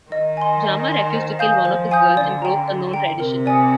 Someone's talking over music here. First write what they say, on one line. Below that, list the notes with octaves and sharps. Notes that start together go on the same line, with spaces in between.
Jama refused to kill one of his girls and broke a known tradition.
D#3 D#5
G#5 C6
D#5
G#5 C6
C5
F5 G#5 D#6 G6
F3 C5
F5 G#5 D#6 G6
D3 D5
G5 A#5
D5
G5 A#5
C3 A#4
D5 G#5 D#6